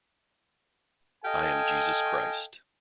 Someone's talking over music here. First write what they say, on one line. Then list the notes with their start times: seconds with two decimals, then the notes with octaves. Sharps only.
I am Jesus Christ.
1.25 A4 D#5 F5 G5 G#5